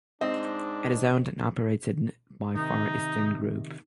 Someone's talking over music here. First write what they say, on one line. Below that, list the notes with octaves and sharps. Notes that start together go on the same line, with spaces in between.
It is owned and operated by Far Eastern Group.
G#2 C4 D4 D#5
C3 D#3 D#4